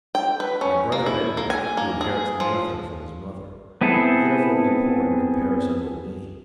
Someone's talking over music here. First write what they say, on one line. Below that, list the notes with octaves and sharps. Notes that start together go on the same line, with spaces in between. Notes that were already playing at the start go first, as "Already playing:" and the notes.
My brother Edward, who inherits nothing from his mother, will, therefore, be poor in comparison with me.
G5
B4
C#4
A#3
E4
A#3
G#5
A#3
G#4
F3
B3 C4 E4 G#4 A4